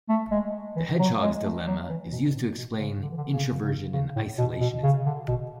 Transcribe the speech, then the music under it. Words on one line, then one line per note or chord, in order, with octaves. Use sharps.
The hedgehog's dilemma is used to explain introversion and isolationism.
A3
G#3
E3
F#3
G#3
A3
F#3
E3
B2
A2
B2
C#3
D3
E3
D3
C#3
C#3
C#3
A2
B2
B2
C#3
D3
B2